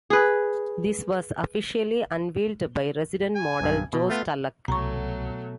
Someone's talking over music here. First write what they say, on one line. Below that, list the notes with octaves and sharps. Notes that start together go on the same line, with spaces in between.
This was officially unveiled by resident model Josh Tallack.
G#4 B4
G#5
B1 G2
B2
A3 B3 F4
C2 B2 F#3 A3 F#4 A4 A#5 C#6